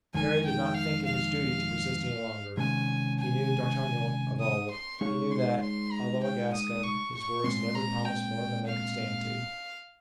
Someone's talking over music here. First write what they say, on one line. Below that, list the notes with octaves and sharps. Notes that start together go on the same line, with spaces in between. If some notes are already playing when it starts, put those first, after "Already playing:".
Parry did not think it his duty to resist any longer; he knew D'Artagnan of old; he knew that, although a Gascon, his words never promised more than they could stand to.
F2 D#3 G#3 D#4 A#4 G#5
G5
F5
F5
C3 D#3 G#3 C#4 G#5
G#5
D#6
C6
G#3 D#4 G#4 C#5 F5 C#6
C6
C6
A#5
G5
D#6
C#6
C#6
A#2 G#3 C4 C6
A#5
G5
F5